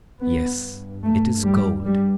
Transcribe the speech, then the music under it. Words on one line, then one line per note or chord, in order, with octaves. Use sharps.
Yes, it is cold.
G2 B3
A3
G3
G3